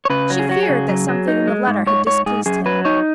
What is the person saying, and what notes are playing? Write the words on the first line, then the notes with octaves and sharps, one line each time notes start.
She feared that something in the letter had displeased him.
C#5
C#3 B4
F#3
G#4
F#3 F#4
G#4
C#3
F#3
F#3
D#4
G#3
G#2
G#2 C#5
G#2 C#5
G#2 G#4
F#2 G#4
F#3 B4
D#4 C#5